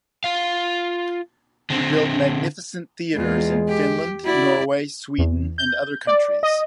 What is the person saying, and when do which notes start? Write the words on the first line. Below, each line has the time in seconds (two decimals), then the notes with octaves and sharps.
He built magnificent theatres in Finland, Norway, Sweden, and other countries.
0.24 F4 F5
1.70 D3 C4
3.15 E2 G#3 F4
3.68 G4
4.25 E4 F#4 D5
5.18 E2
5.58 G6
6.07 D5
6.43 D#5